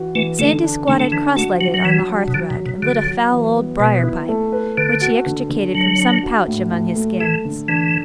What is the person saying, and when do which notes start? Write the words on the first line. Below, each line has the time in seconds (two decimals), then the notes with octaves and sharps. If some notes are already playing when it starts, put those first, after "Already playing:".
Sandy squatted cross-legged on the hearthrug and lit a foul old briar pipe, which he extricated from some pouch among his skins.
Already playing: E3 F#4
0.15 E3 A3
0.39 D3 A3
0.63 D4
0.88 D3 A3
1.00 A3
1.12 E3 D4
1.36 A3 F#4
1.61 F#3 F#4
1.74 F#3
1.85 E3 F#3
2.09 F#3
2.28 B2
2.34 D3 F#3
2.50 B2
2.58 F#3
2.66 B2
2.82 D3 F#3
3.07 F#3
3.31 E3
3.55 B3
3.79 B2 B3
4.04 E4
4.29 A3
4.52 B4
4.77 D3 B4
5.02 F#4
5.26 D3
5.49 D3
5.74 F#3 D4
5.98 D4
6.23 F#4
6.47 A2
6.71 A2
6.95 A3
7.20 E3 A4
7.45 D3
7.68 E3 D4